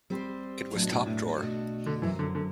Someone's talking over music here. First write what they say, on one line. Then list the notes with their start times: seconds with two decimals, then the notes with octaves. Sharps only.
It was top drawer.
0.10 G3 C4 G4 C5
0.73 A2 F#3 B3 D4
0.82 B2
0.91 A2
1.06 A2
1.38 B2 A3 D4 F#4
1.86 D3
2.02 F#2 E3 F#3 C4
2.19 D3
2.35 D3